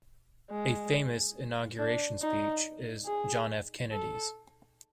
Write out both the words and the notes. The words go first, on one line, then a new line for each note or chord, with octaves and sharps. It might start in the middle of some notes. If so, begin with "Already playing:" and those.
A famous inauguration speech is John F. Kennedy's.
G#3
D4
D#4
G#4
A4